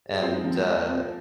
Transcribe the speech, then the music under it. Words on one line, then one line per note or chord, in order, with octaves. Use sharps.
And, uh
G#4
C4 F4
G#3 D#4
F3 C4
G#3 A#3
G#3
A#3
C4
A#3